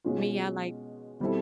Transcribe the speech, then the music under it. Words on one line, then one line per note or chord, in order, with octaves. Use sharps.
Me, I like
B2 G#3 C#4 F4
B2 G3 C4 E4 A4